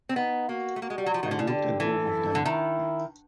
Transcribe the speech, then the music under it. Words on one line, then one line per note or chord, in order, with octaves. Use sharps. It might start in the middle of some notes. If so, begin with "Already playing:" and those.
I looked at both of them.
C4
B3 D#4
A#3 F#4
A3
A#3 F#4
G#3
G3
F#3
F3
D#3
D3
C#3
D3 G4
E3 A4
D3
D#3 E4